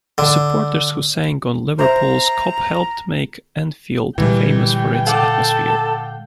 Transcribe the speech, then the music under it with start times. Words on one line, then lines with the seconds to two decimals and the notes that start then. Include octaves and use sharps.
The supporters who sang on Liverpool's Kop helped make Anfield famous for its atmosphere.
0.18 D3
1.79 C5 E5 A#5
4.18 A#2 D3 E3 G3 G#3 G5
5.07 A4 F5 F#5 D6